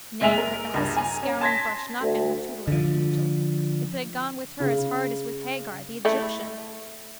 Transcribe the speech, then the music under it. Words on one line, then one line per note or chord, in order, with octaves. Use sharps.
Nay, had the hussy's scouringbrush not been her tutelary angel, it had gone with her as hard as with Hagar, the Egyptian!
F#1 G#3 E5 G#5 F7
A#4
C#2 G2
G#5 A#5
C#4
A5 C6 G#6 A#6 B6
D2
D3 F3
C#3
A3 E4